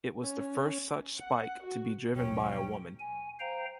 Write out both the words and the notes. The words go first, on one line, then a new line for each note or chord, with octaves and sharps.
It was the first such spike to be driven by a woman.
C#4
F#5
F#4
D#2 G#2 B2 F#3 C#4 G5
G#5
C5 F5 G5 A#5